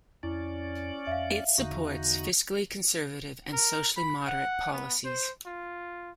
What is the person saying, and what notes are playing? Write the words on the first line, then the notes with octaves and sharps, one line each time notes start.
It supports fiscally conservative and socially moderate policies.
F2 C#4 E4 D5
F2 E5 F5
E2 D3 D#4 F#4
A#4
B5
F#5
B3
C5
F4